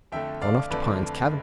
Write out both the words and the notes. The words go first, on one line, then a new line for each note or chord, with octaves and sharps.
Gone off to Pine's cabin!
F2 D3 A3 E5 G5
D5 F5
F2 D3 A3 B4 D5